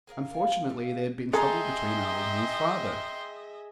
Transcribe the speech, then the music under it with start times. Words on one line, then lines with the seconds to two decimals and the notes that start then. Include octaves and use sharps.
Unfortunately, there had been trouble between Arnold and his father.
0.07 G#4 A#4 D5 F5
0.31 A#3 F4 A#4 G#5
0.69 G3 A#3 F4 E5
1.33 G#4 A4 D#5 E5 G5 A#5 C6